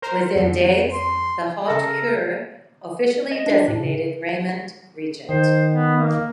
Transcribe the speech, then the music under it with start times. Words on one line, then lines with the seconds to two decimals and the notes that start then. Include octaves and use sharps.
Within days, the "Haute Cour" officially designated Raymond regent.
0.02 A#4 C5 A#5
0.36 F2
0.93 C6
1.68 C#3 A4 A#4
3.32 D#5
3.46 D4
3.68 A2
3.80 C#3
5.29 D#3 C5
5.71 B3
5.97 A#3